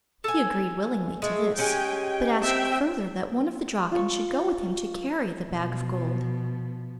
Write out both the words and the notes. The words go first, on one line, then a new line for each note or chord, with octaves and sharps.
He agreed willingly to this, but asked further that one of the Draken should go with him to carry the bag of gold.
A4 G#5
G#3 A3
G#3 C#4 G4 G5 G#5
G5
C4 E5 G5
F4 C#6
B2 F3